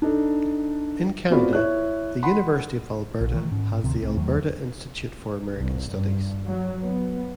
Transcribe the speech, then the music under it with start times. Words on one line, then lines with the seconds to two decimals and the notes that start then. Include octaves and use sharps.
In Canada, the University of Alberta has the Alberta Institute for American Studies.
0.02 D4 D#4 A4
1.30 B3 C4 F4 F#4 D5 B5
1.53 E4 C#5 F#6
2.23 F#5 B5 C6
3.21 A#1
3.34 D#3 E3 A3
3.51 G#2 C#4
3.84 D2 C3 D#3 C4
4.01 C2 A3 C4
4.16 E2 D#3 F#3 A3
5.55 C2
5.88 G2
6.47 F#3
6.84 B3